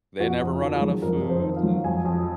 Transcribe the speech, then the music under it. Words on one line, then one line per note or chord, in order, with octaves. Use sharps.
they never run out of food and
F2 F#4
F2
D#3
G#4
F#3
F2 A#4
F2
C5
D#3
F5
F#3
F2 G#5
F2